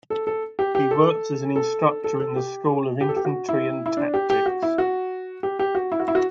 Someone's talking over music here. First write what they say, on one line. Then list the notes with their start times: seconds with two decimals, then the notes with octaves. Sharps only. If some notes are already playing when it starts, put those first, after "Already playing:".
He worked as an instructor in the School of Infantry and Tactics.
0.10 A4
0.27 A4
0.59 G4
0.75 G4
0.91 A4
1.56 A4
2.04 A4
2.20 A4
2.36 G4
3.01 G4
3.09 A4
3.17 G4
3.25 F#4
3.49 E4
3.86 E4
3.97 D4
4.14 G4
4.30 G4
4.46 F#4
4.62 E4
4.78 F#4
5.43 G4
5.59 G4
5.75 F#4
5.92 E4
6.00 F#4
6.08 E4
6.15 F#4